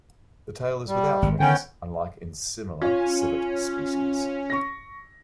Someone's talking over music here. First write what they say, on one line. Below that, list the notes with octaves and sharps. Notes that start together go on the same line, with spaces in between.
The tail is without rings, unlike in similar civet species.
G3
G#1
D3 D#3 B3 C#4 G5
C#4 F4
C#6 A#6